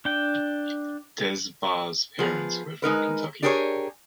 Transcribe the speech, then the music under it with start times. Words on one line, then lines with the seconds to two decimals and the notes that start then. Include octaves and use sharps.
Des Barres' parents were from Kentucky.
0.05 D4 G5
2.19 F3 B3 G#4
2.82 G#3 D#4 A#4 B4
3.42 D4 G4 G#4 A#4 C5 C#5